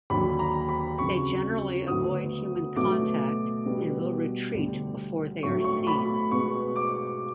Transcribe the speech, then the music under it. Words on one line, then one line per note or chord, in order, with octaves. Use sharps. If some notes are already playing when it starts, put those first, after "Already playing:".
They generally avoid human contact and will retreat before they are seen.
D#2 D3 F#3 B5
A#5
B5
F2 C#3 F#3 C#6
D2 D3 F#3 B3 D#6
B2 F#3 A3 D6
B2 G3 B3
D2 D3 G3
A2 F#3 A3 C#6
C#6
B5
B2 G#3 B3 C#6
D6